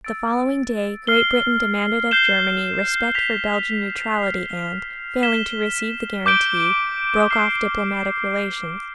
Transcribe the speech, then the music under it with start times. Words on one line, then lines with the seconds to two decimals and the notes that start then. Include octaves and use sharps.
The following day, Great Britain demanded of Germany respect for Belgian neutrality and, failing to receive the guarantee, broke off diplomatic relations.
0.04 E6 A6 D7
1.07 F6 C7 G7
2.11 G6 C7 E7 G7
3.15 G6 B6 F7
4.19 F6 C7 F7
5.23 F6 B6 E7 G7
6.26 D6 G6 D7 G7
7.30 F6 C7 E7 G7